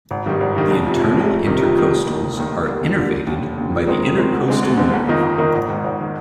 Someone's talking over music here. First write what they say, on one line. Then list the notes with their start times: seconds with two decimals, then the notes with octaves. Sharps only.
The internal intercostals are innervated by the intercostal nerve.
0.11 G#1
0.26 G2 D#3 G3
0.41 G#1
0.56 G2 D#3 G3
0.70 F1
0.86 F2 C3
1.01 F1
1.16 F2 C3
1.31 F2
1.47 C3 D#3 G3
1.62 F2
1.76 C3 D#3 G3
1.91 F1
2.06 D#2 D#3
2.22 F1
2.37 D#2 D#3
2.52 D#2
2.67 D3 G3 A#3 D4
2.81 D#2
2.97 D3 G3 A#3 D4
3.12 F1
3.27 D#2 D3
3.42 F1
3.58 D#2 D3
3.72 F2
3.87 D#3 G#3 C4
4.03 F2
4.17 D#3 G#3 C4
4.33 D2
4.48 D3 G#3 C4
4.63 D2
4.77 D3 G#3 C4
4.94 G1
5.08 F2 D#3 A#3 D#4
5.23 G1
5.38 F2 D#3 A#3 D#4
5.54 G#1
5.68 G#2 D#3
5.84 G#1
6.01 D#3